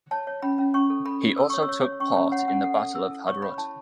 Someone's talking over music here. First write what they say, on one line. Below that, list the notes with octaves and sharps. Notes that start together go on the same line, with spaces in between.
He also took part in the Battle of Hadrut.
C#5 A5
C#5
C#4 B5
C#4
C#4 C#6
A4
A4 B5
A4
A4 E6
C#5 C#6
E6
C#5
C#5
C#4 C#6
C#4 B5
C#5 F#5
C#4 F#5
A4 F#5
A4
E4 E6
A4
C#5 C#6
C#5 B5
E4 A5